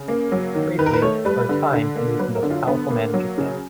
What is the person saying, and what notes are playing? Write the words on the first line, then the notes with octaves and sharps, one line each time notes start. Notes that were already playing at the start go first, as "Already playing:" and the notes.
Briefly, for a time he was the most powerful man in Japan.
Already playing: C#3
A#3
F#3
D#3
D#3 B4
A#4
B4
A3 C#5
G3 B4
D3
D3
A#3
F#3 B4
A#4
D3
F4
D3 B3
A#3
F#3
C#3